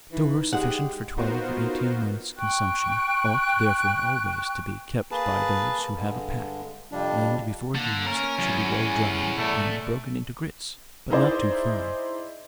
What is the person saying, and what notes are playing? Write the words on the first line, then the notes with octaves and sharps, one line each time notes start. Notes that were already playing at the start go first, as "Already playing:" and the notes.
Store sufficient for twelve or eighteen months' consumption ought, therefore, always to be kept by those who have a pack; and before used should be well dried, and broken into grits, but not too fine.
E3 D#4
G#3 G4 F#5
B3 D#4 F4 F#4 A#4 C5
G5 C#6 F#6
A#3 G#4 B4 A5
G2 D3 G#3
F2 C3 F3 G3 D4
D3 A#3
C#4 A#4
E2 F#3
G3 G#5
A#2 A3 D5
D#4 E4 G#4 C5 D5 D#5